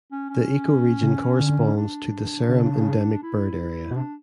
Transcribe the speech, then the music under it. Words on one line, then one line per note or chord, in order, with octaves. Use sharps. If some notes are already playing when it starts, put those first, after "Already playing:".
The ecoregion corresponds to the Seram endemic bird area.
C#4
C#4
C#3
D3
D4
C#3
E4
B2
C3 D4